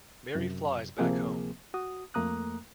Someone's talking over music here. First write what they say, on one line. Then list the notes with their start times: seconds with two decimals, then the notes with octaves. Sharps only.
Mary flies back home.
0.35 F#2 C3
0.98 D2 C3 F3 A#3 C4 G#4
1.74 F#4 D#6
2.14 F2 A3 A#3 A#5 D#6 F#6